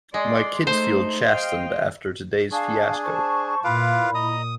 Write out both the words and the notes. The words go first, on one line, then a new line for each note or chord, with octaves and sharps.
My kids feel chastened after today's fiasco.
G#3 D5 C6
A3 D#4 C5
D#5 F5 G5
D4 G#4 F5 A5 C#6
C5 A5 C#6
A#2 E4 F4 B4 F5 B5 D6
D#5 A#5 D#6